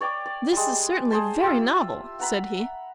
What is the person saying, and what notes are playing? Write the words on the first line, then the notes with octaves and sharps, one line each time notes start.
"This is certainly very novel," said he.
C#5 D5 G5 D6
D5
G3 G#3
G#4 C5 A5
F4 G4 E5 B5
F#5 A#5 B5